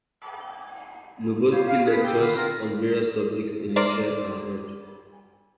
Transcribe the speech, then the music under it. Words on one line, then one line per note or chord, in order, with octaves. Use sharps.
Lubotzky lectures on various topics in Israel and abroad.
E4 F4 G4 C5 C#5 F5
F5
G#4 B4
G4 A4 G5
D3 D#3 D#4 B4 F5
C4 F4 A#4
A#4 C5 D5